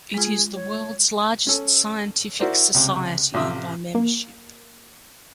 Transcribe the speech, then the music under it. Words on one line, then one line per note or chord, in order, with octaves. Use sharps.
It is the world's largest scientific society by membership.
G#3 F4 G#4
C#5
C#4 A4
E4 F#4 A#4 C5 D5
C#2 C3
A1 C3 F3 E5 D#6 E6
A#3